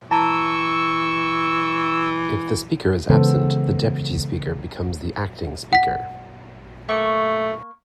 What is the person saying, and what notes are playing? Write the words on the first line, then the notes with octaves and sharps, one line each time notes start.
If the Speaker is absent the Deputy Speaker becomes the Acting Speaker.
E3 A5 A#5 C#6 E6
C#3 E3 G#3 B3 A4 C5
F#5 B6
A3 A#3 C#6